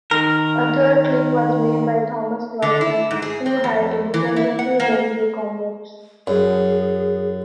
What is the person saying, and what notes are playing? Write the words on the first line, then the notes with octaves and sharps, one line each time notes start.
A third claim was made by Thomas Clausen, who had independently linked the comets.
D#3 A#4
D3
E4
G#2
G#4
C4
F2
E3
E4
F#5
A#3
F#2 G#4